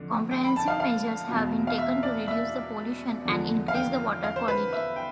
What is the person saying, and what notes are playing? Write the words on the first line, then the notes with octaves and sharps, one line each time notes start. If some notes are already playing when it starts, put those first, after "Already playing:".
Comprehensive measures have been taken to reduce the pollution and increase the water quality.
Already playing: F2 D3
G5
B5
A5
F5
F5
E2 B2
F5
E5
D5
E5
E2 D3 F3
F5
G5
F5
C5
B4
E5
G5